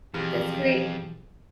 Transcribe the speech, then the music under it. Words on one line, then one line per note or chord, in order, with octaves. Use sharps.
That's great.
B1 F2 E3 G4 G#4 F6